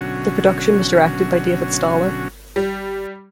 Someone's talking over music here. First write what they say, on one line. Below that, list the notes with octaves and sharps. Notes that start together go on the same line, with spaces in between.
The production was directed by David Staller.
B2 D3 F#3 C#4 F#4
G3